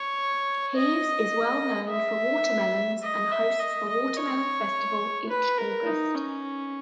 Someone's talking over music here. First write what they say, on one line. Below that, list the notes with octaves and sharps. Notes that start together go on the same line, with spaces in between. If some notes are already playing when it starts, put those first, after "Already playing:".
Heves is well known for watermelons and hosts a watermelon festival each August.
Already playing: C#5
D#5
E5
D#5
E5
D#5
D#5
C#5
B4
A#4
D#4
C#4